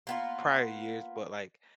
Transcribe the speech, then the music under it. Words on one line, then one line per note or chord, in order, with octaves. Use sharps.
prior years, but, like,
A#3 B3 F4